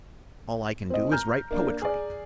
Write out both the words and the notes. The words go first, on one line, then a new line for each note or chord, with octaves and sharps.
All I can do is write poetry.
C4 D#5
A#5 F6 G6
A#3 D4
G#4 D5